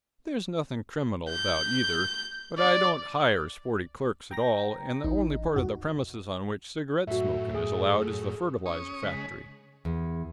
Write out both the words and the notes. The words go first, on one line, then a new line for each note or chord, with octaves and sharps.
There's nothing criminal about either, but I don't hire sporty clerks at all, and the only part of the premises on which cigarette smoking is allowed is the fertilizer factory.
G6
D5
G5 A#5 A#6
A1 D#4
F2 F#4
F#2 A2 F#4 E5
G#4 G#5 D#6
C#4 C#6 D#6
C#3 G#3 B6
E2